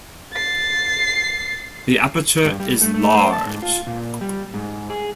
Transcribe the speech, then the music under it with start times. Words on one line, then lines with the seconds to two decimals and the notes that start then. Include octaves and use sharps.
The aperture is large.
0.34 A6 C7
2.45 G2
2.60 G3
2.81 A3
2.94 A3
3.14 C5
3.32 A5
3.46 G#2
3.62 F4
3.87 A#2
4.21 G3
4.54 G#2
4.90 G#4